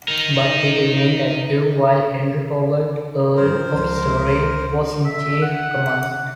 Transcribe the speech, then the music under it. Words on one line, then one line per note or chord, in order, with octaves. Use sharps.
But he remained active while Henry Howard, Earl of Surrey was in chief command.
D#4 A#4
G2 F3 A#4 C5
C#2
E5
F#5